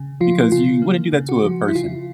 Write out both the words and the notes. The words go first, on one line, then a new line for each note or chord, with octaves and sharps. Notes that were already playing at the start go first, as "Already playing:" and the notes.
because you wouldn't do that to a person.
Already playing: C#3
F3 F4
C#3 F4
A#3
C#3
F#4
F3
E4
C#3 F4